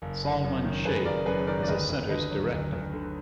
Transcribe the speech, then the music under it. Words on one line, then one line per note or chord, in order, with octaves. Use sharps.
Salman Shaikh is the Center's Director.
F#1
F#1
F#2
D#3
F#1 G#4 B4
F#1 A#4 D5
F#2 G#4 B4
D#3 A#4 D5
D5
D2 B4 D#5
D2
D3 B4 D#5
F#3
D2
D2
D3